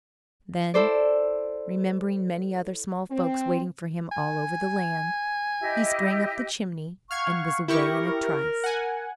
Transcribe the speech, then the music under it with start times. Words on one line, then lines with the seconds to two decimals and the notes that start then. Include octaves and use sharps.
Then, remembering many other small folks waiting for him all over the land, he sprang up the chimney and was away in a trice.
0.74 E4 A4 C5 D5
3.11 C4
4.12 G#5
5.61 E4 G4 D#5
7.11 F5 F#5 C#6 F6 G#6
7.68 E4 G4 A#4 C#6
8.64 F#5 G#5